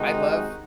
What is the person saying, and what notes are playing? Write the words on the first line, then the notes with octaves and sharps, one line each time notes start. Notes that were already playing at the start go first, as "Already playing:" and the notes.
I love
Already playing: C3 D#3 G#3 D#4 F#4